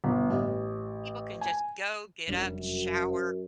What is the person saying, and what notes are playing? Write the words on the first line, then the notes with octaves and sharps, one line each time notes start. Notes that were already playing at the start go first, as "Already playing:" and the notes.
some people can just go, get up, shower,
G1
A1
G#5
F1 F#2 G3 D4